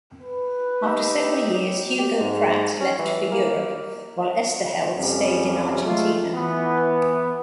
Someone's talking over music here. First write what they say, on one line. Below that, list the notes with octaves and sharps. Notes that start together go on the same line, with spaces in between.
After several years, Hugo Pratt left for Europe, while Oesterheld stayed in Argentina.
B4
D#4 G4 E5
G4
G#2
C#4
E3
A#3
F2 C3 G3 C#4
G#3 A3 F4
E3 B3